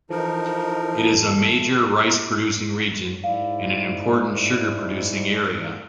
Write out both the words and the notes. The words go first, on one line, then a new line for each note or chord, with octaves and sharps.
It is a major rice-producing region and an important sugar-producing area.
E3 F3 D#4 A4 A#4
G#2 E4 D5 F5